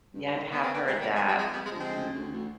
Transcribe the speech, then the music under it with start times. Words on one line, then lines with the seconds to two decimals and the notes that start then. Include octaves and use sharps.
Yeah, I've have heard that. Mhm.
0.14 G2
0.33 D#3
0.52 D#3 B3
0.62 C4
0.73 D#3 B3 D4
0.86 G#3 C4
0.93 D#3
0.99 G3 B3
1.12 F2 G#3
1.26 G3
1.33 F2
1.39 G#3
1.52 C3 G3 B3
1.66 G#3
1.71 F3
1.78 G#3 C4
1.92 D2
2.12 D2
2.31 D2